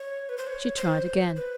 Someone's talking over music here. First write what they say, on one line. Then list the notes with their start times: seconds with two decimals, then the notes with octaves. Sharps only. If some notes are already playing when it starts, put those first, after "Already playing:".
She tried again.
Already playing: C#5
0.29 B4
0.38 C5
0.47 C#5
0.77 C5
1.36 B4